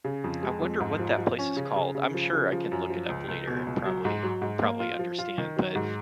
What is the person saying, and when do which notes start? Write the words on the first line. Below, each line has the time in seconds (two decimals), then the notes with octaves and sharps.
I wonder what that place is called, I'm sure I can look it up later and probably probably understand, but,
0.04 C#3
0.24 F2
0.43 G#3
0.62 F2
0.80 G#2
0.99 F3
1.18 F3
1.39 C#4
1.57 C#3
1.76 C#3
1.95 C#3
2.14 F3
2.33 C#3
2.52 F3
2.72 F#2
2.90 F3
3.09 C#2
3.28 C#2
3.47 B2
3.67 C#2
3.86 F#3
4.05 G#2
4.23 F#3
4.42 G#2
4.62 A#3
4.80 F4
4.99 F3
5.19 F4
5.38 D#3
5.56 F#3
5.75 G#2